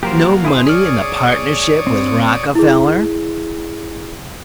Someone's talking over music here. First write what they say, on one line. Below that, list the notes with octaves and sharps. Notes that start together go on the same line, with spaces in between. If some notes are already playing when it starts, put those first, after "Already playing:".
"No money in a partnership with Rockefeller?"
F3 F#3 A#3 G4 A#4 C5
E4 G#4 C5
G#4 C#5 D5 D#6 F6
C4
E4 G#4